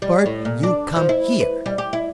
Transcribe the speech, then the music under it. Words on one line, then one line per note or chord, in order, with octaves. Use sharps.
"Bart, you come here!"
G3
A2
A#2
D4
F3
E4
B4
G3
G4
E4